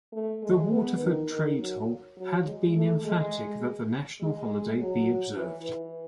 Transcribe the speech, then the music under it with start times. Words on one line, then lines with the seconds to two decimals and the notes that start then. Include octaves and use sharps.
The Waterford Trades Hall had been emphatic that the National Holiday be observed.
0.12 A3
0.42 G#3
0.71 B3
1.00 D#3
1.30 D#3
1.59 F#3
2.17 F#3
2.46 G#3
2.75 A3
3.05 G#3
4.21 G#3
4.80 F#3
5.37 E3
5.66 E3